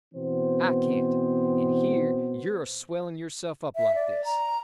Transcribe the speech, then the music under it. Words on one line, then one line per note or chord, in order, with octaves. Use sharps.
I can't; and here you're a-swelling yourself up like this.
B2 E3 B3 C4 C5
E5
D5
A#5